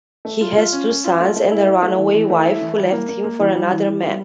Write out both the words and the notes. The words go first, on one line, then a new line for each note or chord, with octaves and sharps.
He has two sons and a runaway wife who left him for another man.
A3
F4
F4
C#4
C#4
F4
A3
A3
E4
E4
A3
E3
E3
A3
E4
E3
G3
A#3
A#3
A#3
E3
G3
E3
E3
G3